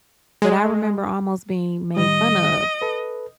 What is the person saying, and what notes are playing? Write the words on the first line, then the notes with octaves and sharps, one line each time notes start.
but I remember almost being made fun of
G#3
A2 D#3 G3 D#5
A4 B4